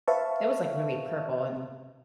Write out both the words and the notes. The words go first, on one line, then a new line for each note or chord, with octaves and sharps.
it was like really purple and
B4 C5 E5 F5 A5 C#6